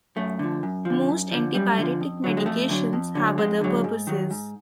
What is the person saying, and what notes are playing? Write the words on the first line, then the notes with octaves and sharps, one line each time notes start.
Most antipyretic medications have other purposes.
F#2 A3
D3 F3
F#2
D3 F3
F#2
D3 F3
F#2 G3
D3 F3
F2
D3 F#3
G#3
F2 A3
D3 F#3
F2
D3 F#3
F2 G#3
D3 F#3
G#2
D#3 F#3
G#2